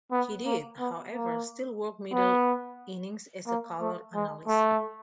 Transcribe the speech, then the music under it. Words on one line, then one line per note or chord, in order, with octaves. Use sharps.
He did, however, still work middle innings as a color analyst.
B3
A#3
B3
A#3
B3
A#3
A3
G#3
A3